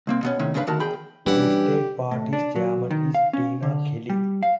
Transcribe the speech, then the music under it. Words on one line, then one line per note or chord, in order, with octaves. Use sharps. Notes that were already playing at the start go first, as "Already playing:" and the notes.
The state party's chairman is Tina Kelly.
C2 A#3 C4
B2 B3 C#4
A2 C3 D#3 C#4
G#2 C#3 D4 D#4 B4 F5
D2 D#3 F#4 A#4 A5
E2 G#4 G5 B5
E3 G3 C#4 D4 G4 F#5
A2
D4
F#3
D#3
F5
C#4
D3
G3
F5